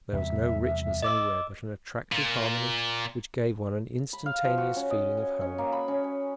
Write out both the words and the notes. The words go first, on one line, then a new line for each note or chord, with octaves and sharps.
There was no richness anywhere, but an attractive harmony which gave one an instantaneous feeling of home.
E2 C3 G3 E5
D#5 D6 E6
A#2
B5
F5
F3
F#4
C#4
D#5
G#5
C#4
A#3
B5
C#4
G#5